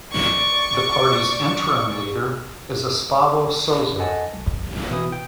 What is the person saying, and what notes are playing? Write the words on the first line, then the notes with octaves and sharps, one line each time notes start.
The party's interim leader is Espavo Sozo.
D5 C#6
A4 D#5 F#5 G#5 A5
B1
B2 E3 E4 D#6
G5